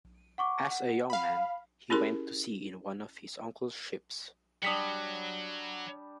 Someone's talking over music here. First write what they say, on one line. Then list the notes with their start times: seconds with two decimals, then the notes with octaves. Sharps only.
As a young man he went to sea in one of his uncle's ships.
0.38 F#5 C#6 D6
0.71 F#5
1.10 F5 B5
1.90 C#4 E4 G4 G#4 A#4 C6
4.63 F#3 G3 D4 D#6 B6 C#7